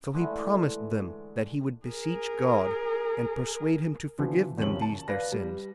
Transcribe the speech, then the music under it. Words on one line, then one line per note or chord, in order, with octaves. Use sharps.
So he promised them that he would beseech God, and persuade him to forgive them these their sins.
D3 E3 G#3 A3
G#4 A#4
B2 D3 E3 F3
F#1 D#2 C3 F3 C#4 F#7
A5
B4 D5 F5 A#6
G3